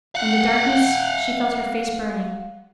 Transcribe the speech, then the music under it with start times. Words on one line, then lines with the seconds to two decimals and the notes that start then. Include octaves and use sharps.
In the darkness she felt her face burning.
0.15 F5 F#5